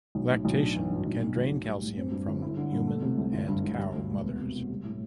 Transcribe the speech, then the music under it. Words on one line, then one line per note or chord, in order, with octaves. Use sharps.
Lactation can drain calcium from human and cow mothers.
B1
A2
B1
D4
E3
G2
B1
B2
B1
A2
G3
A2
C4
G2
G1
E4
D3
G2
A3
C3
C2
G1
G2
G1
G3
D2
E1
B3
C3
E2
G3
A2